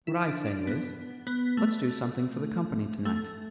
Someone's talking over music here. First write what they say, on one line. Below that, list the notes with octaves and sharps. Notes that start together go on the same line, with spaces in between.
What I say is, let's do something for the company tonight.
E4
D4
D4
B3
B3
A3
A3